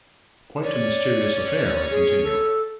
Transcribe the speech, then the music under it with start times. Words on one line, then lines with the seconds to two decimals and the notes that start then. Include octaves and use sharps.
"Quite a mysterious affair!" I continued.
0.64 C#4 C#5 D5
1.91 G#4
2.24 A4